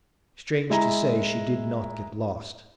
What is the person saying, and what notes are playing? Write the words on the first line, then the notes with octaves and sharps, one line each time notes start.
Strange to say, she did not get lost.
G#3 E4 A#5